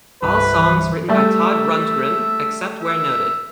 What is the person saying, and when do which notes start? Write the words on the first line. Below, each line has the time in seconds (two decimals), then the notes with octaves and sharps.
All songs written by Todd Rundgren, except where noted.
0.22 C2 G2 B4 F#5
0.57 E3
1.08 G3 A3 E5
2.80 E5